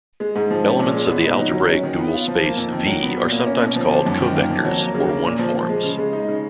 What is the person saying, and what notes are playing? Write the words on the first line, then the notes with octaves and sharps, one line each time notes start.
Elements of the algebraic dual space "V" are sometimes called covectors or one-forms.
G#3
G#2
F3
C#4
A#2
G#3
B3
D#4
F#3
F#3
C#4
D#3
B3
F4
F3
A#3
F2
D#3
F#3
B3
A#2
A#3
C#4
B2
F3
G#1
F#2
D#3
A#3
F2
F#3
A#3
C#3
A#3
A#2
F3
F3
G#3
C#3
G#3
D#4
C#3